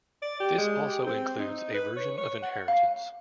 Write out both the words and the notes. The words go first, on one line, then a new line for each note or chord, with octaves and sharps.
This also includes a version of inheritance.
D5
G4
G#3
G4
C4
D#4
B4
C#5
C#5
F#5
F5